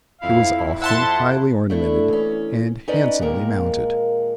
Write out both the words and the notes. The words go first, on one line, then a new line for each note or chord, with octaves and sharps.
It was often highly ornamented, and handsomely mounted.
F2 E4 F5
E5 F#5 A5 C6
A3 D4 E4
E2 C#4
C#4 D#4 B4 D5 D#5
D#2 A#2 G#3 A#4